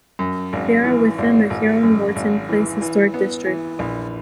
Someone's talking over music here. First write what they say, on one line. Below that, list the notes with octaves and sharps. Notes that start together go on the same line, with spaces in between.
They are within the Herron-Morton Place Historic District.
F#2
G#1
E3
G#1
G#1
F#2
G#1
E3
E3
B3
E3
A#1